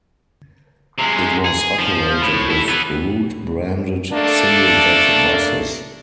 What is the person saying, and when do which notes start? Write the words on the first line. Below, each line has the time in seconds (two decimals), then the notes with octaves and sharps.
It was operated with route-branded single-deck buses.
0.99 C3 G#3
1.45 G#4
1.79 F3
2.22 A2
2.50 E4 A4
2.68 E3 B3
4.12 A3 A#3 D4 A4